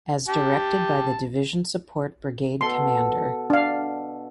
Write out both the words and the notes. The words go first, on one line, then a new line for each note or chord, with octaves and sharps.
As directed by the division support brigade commander.
G4 A5
B2 A4 C6
D4 F5